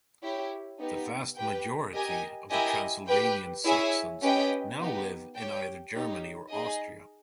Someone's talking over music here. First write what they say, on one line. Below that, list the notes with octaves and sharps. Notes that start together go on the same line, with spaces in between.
The vast majority of the Transylvanian Saxons now live in either Germany or Austria.
E4 G4 C#5
B3 D#4 G4
G4 B4 G5
G4 A#4 D#5 G#5
E4 G4 A#4 D#5 G#5
G4 B4 G5
E4 G#4 C#5 E5 G#5
C#4 G4 B4 D#5 G5
B3 D#4 G4
G4 C#5 G5
D#4 G4 C#5
D#4 G#4 D#5